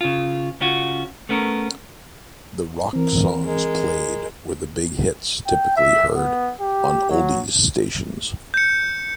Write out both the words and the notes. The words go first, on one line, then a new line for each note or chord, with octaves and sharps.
The rock songs played were the big hits typically heard on oldies stations.
C#3 F4
C#3 C#4 F4 F#4
A3 B3 C#4 A#4
E3 C4 A#4
G#3 A#4
G5
E5
B3
G4
F#3
G6 C#7